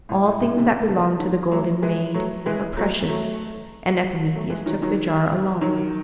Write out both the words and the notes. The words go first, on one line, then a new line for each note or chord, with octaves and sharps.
All things that belonged to the Golden Maid were precious, and Epimetheus took the jar along.
A2
A2
A2 C#3
C3 D#3
C#3 E3
D#3 F#3
F#3 A3
E3 G#3
F#3 A3
E3 G#3
F#3 A3
F#3 A3
F#3 A3
E3 G#3
D#3 F#3
D#3 F#3
D#3 F#3